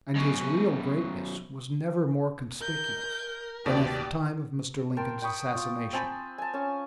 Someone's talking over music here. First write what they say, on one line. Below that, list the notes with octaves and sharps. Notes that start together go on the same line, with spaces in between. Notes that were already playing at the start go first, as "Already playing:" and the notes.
And his real greatness was never more conspicuous than at the time of Mr. Lincoln's assassination.
F#2 B2
A#4 G6
D#2 B2 G4 D5
A#4 G5 A5 C6
G5 B5 C#6 D#6
F4
C4 G#5 A5 B5
G#5 A5
C#4 G#5 A5